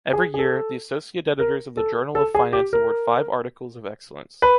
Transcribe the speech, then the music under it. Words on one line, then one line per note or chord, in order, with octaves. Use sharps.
Every year, the associate editors of the Journal of Finance award five articles of excellence.
G#4
G#4
A4
A#4
A4
A4
G#4
G4
A#4
B4